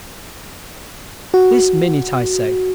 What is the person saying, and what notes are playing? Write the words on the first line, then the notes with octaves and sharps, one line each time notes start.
This minute, I say.
F#4